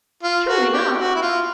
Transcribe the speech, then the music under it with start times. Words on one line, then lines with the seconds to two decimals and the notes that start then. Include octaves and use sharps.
"Surely not?"
0.23 F4
0.48 F#4
0.73 G4
0.98 F#4
1.15 E4
1.22 F4